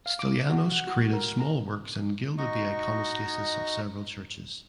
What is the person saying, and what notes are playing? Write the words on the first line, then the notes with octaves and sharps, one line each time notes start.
Stylianos created small works and gilded the iconostasis of several churches.
F5
D6
F#4
F#5
F#4
A#4
A#5
D#4 F#4 D#5 C#6